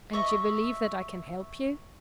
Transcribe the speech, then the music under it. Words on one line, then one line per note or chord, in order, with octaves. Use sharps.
"And you believe that I can help you?"
D#5 E5 C#6